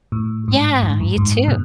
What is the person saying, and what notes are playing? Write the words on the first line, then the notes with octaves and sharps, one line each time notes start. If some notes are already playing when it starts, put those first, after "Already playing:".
Yeah, you too.
A2
G#2
G#2
F#2
G#2
B2